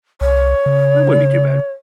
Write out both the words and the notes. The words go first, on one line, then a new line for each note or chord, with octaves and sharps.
That wouldn't be too bad.
C2 C#5
C#3